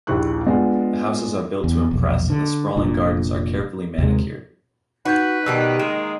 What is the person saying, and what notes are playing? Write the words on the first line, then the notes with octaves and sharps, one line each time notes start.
The houses are built to impress and the sprawling gardens are carefully manicured.
A#1 D#2 E4 C#6 F#6
G#3 B3 D4 F4
E2
E1 A#1
D3
F1 A#2 D4
D#2 C3 G#3
D#4 F#4 B4 G6 G#6
B2 D#3 G3 G4 E6
G#3 A#3 E7